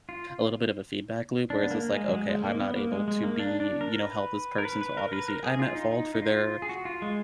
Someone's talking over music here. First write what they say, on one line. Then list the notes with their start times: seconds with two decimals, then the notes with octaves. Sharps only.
a little bit of a feedback loop, where it's just like, "Okay, I'm not able to be" you know, "help this person, so, obviously, I'm at fault for their
0.09 F4
1.50 D4
1.63 B3
1.71 A#3
1.92 G#3
2.08 F#3
2.13 G#3
2.29 G#3
2.44 A#3
2.60 B3
2.76 A#3
2.92 G#3
3.08 G#3
3.23 A#3
3.39 D4
3.60 D4
3.81 A#4
4.02 B4
4.58 A#4
4.65 B4
4.81 B4
4.97 A#4
5.13 B4
5.28 A#4
5.44 G#4
5.59 F4
5.75 D#4
5.92 D#4
6.15 D#4
6.22 F4
6.62 G#4
6.69 F#4
6.85 F4
7.02 G#3